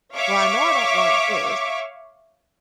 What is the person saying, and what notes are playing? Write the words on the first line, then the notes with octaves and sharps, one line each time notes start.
"Well, I know I don't want this."
C#5 E5 F5 C#6 D6